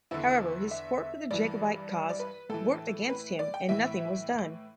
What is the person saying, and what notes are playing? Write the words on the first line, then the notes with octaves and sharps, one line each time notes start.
However his support for the Jacobite cause worked against him and nothing was done.
E2 D3 E4
E5
G2 E3 D5
D5
B4
A2 E3 A4
B4
D5
G5
A2 E3 E5